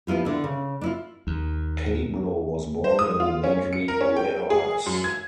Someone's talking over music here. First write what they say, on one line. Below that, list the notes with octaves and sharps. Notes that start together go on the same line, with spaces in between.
Pablo was born in Madrigueras.
F3 B3 E4 F4 G4
D3 E4
C#3
D4 E4 F4
D#2
C5
D#6
F4
C#4
C#7
A#4
C#4
G5
G#4
F#2
G#6